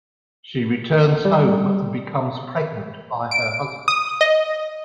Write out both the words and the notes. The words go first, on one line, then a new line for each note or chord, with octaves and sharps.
She returns home and becomes pregnant by her husband.
G3
D7
D#6
D#5